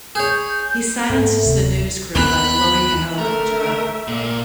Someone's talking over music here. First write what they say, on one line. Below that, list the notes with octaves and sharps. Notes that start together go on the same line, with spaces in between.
He silences the news crew by blowing the helicopter up.
G#4 C#5 G6
G#2 A3 B3
D1 C3
D#2 G#3 B3 B5 F#6
A3 A#4 E5
A#2 A#3